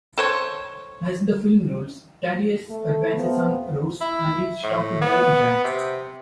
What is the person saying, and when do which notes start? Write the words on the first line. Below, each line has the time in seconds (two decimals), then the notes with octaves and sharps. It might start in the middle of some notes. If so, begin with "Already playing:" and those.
As the film rolls, Thaddius advances on Rose and is stopped by Jack.
0.18 A4 C5 C#5
2.68 A3
3.16 C3 F3 B3
4.01 E4
4.63 A2
5.02 B3
5.64 C3